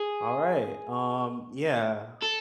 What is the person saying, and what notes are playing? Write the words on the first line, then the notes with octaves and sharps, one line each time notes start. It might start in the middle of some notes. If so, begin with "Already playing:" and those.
Alright, um, yeah.
Already playing: G#4
A4